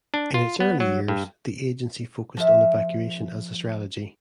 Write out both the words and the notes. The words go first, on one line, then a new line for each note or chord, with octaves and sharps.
In its early years, the agency focused on evacuation as a strategy.
D4
F4
B3
F#3
G2
F3 E5